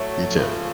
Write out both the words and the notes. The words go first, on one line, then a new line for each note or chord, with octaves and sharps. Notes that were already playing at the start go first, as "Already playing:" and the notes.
You too.
Already playing: A2 F#3 A3
C#3 F3 A3